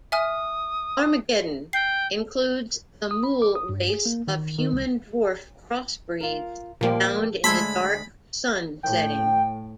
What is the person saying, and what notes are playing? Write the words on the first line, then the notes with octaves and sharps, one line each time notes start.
"Armageddon" includes the mul race of human-dwarf crossbreeds found in the "Dark Sun" setting.
E5 G#5 D#6 F6
G5 C7
D#6
B5
D6
D#6
G2
G#4
A#3
D#3
D#3
C2
F4 A#4
A#2 F3 G3 A#3 G4
D2 G#3 A5 B5 C6 E6 G#6
A2 G5